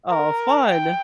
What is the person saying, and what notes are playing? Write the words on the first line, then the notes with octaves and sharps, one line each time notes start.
Oh, fun.
A#4
G5